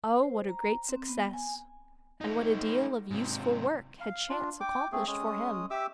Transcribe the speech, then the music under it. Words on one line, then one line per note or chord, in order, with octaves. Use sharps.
Oh, what a great success! and what a deal of useful work had chance accomplished for him!
C5
A#5
C4
B3
G#5
A3 D#4
G#2 C3
F5
D4 F4
G5 D6
A3 C4 G#4
G#3 C#4 D#6
G4 E5 D6 E6